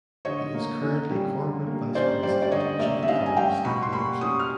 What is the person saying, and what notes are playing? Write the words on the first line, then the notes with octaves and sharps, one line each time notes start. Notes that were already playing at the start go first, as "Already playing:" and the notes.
He is currently Corporate Vice President and Chief Economist at Microsoft.
D3 C#5 D#5
A#3
C#4
G3
D3
A#3
C#4 C5 D5
G3 C5 D5
D5
D3 C#5 D#5
A#3 D5 E5
E5
C#4 D#5 F5
G#5
G3 F5 G5
B2 B5 C#6
C6
A#3 B5 C#6
C#4 C#6 D#6
F6